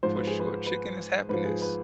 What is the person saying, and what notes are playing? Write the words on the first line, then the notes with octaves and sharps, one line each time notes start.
for sure, chicken is happiness.
G#2 F3 C5
B4
G#4
B4
B4
G#2 F3 B4
G#4
B4